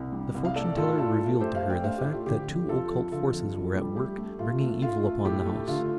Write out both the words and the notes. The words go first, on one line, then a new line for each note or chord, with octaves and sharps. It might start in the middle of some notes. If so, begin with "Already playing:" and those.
The fortune-teller revealed to her the fact that two occult forces were at work bringing evil upon the house.
Already playing: C2
G3
C2
F5
A3 A4 D5
A2 F4 A4
A2 F4 A4
A3
A3 G4 C5
C5 F5
A3
D5 G5
A3 C5 F5
G4
A2
F4
D3 G4
F2
F2 F4 A4
F2
D3 F4 A4
F2
F2
G3
A3 G4
A3
A3 F4
A3
A3 F4
A3
A2 G4
A3
D3 F4